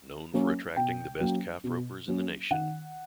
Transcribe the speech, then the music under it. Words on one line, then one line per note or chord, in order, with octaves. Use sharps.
Known for attracting the best Calf Ropers in the nation.
F#3 A#3 C#4
B2 G5
F#3 A#3 C#4
B2
F#3 A#3 C#4
D#3 F#5